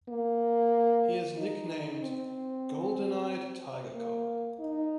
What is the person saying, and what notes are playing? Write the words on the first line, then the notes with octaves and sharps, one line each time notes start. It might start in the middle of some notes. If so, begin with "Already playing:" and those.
He is nicknamed "Golden Eyed Tiger Cub".
A#3
D#4
C4
A#3
D#4